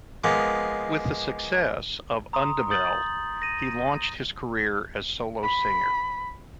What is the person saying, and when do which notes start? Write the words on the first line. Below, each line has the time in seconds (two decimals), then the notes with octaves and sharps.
With the success of "Undebel" he launched his career as solo singer.
0.24 F3 G#3 A#3 B3
2.33 A#5 C6 D#6
2.71 D#6 G6 A6 F#7
3.42 A#6 D#7
5.43 B5